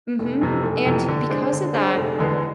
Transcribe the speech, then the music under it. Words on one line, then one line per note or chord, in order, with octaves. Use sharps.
mhm. And because of that
F1
F2 C3 E3
F1
F2 C3 E3
D3
G#3 D4 G#4 C5
D3
G#3 D4 G#4 C5
F1
E2 D3 G#3 B3